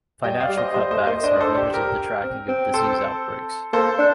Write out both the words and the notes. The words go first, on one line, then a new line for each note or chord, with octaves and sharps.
Financial cutbacks have limited the tracking of disease outbreaks.
G3 D#5 G5
D5 F5
G3
C5 D#5
G3 C5 D#5
A3 C5 D#5
A#3 C5 D#5
D4 C5 D#5
D5
A4 C5
G4
G4 A#4
C4
C4
A4 C5
A#3 A4 C5
D4